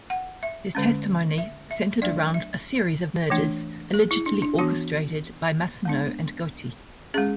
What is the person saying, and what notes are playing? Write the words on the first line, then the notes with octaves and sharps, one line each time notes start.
His testimony centered around a series of murders allegedly orchestrated by Massino and Gotti.
F#5
E5
D3 G#3 C#4
E5
E5
F#3 A3 D4 D5
E5
E3 A3 D4
G#4
E4
D4
D4
E3 B3 D4 F#4
G#3 B3 D4
G#3 C#4 G#4